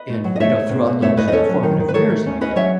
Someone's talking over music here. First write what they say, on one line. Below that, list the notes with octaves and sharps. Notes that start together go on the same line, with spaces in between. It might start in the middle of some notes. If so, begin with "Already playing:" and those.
and, you know, throughout those, uh, formative years like that,
Already playing: B4 D#5
A3
F#3
D#5
A3 C#5 E5
A3
B2
B2
A3 C#5 E5
A3 B4 D#5
D#5
C#4 A4 C#5
F#3
D#3
D#3
B4
D#3 A4 C#5
A3
C#4
C#4 B4 D#5
F#3 C#5 E5